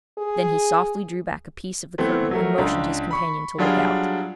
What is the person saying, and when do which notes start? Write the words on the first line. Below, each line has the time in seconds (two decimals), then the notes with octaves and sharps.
Then he softly drew back a piece of the curtain and motioned his companion to look out.
0.18 G#4
1.98 E3 A3 B3 C4
2.31 F#3 A3 A#4
2.58 C#2 D4 A#5
3.11 B5 C#6
3.58 F#3 G3 D4 F4 F#4 G#4